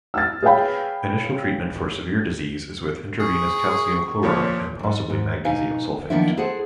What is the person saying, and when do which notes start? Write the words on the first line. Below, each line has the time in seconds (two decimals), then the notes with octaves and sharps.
Initial treatment for severe disease is with intravenous calcium chloride and possibly magnesium sulfate.
0.14 E6 F6 A6
0.42 G#4 B4 C#5 F5 G5 B5
3.20 G#4 C#6
4.23 A#2 F3 A#3 C#5
4.79 D#2 G#2
5.10 G#2
5.45 B2 D#4 B4 F5 G#5
6.10 D#3 F3 A#3 B3 D4 E4
6.37 E4 G#4 A4 C5 F#5